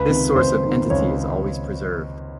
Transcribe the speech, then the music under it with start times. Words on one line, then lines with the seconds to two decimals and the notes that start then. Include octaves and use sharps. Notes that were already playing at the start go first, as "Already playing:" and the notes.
This source of entity is always preserved.
Already playing: C#2 B4
0.09 C3 D#3
0.35 C#2 C5
0.64 C3 D#3
0.90 C#2 C#5